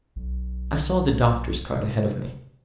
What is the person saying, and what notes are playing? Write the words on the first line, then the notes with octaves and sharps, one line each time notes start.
I saw the doctor's cart ahead of me.
B1
C3